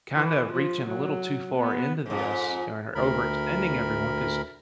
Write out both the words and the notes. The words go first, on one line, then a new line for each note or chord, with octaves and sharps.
kinda reaching a little too far into this, or overextending everyone 'cause
E3
F3
F#3
B3
F2 G#2
D2 A#4 B5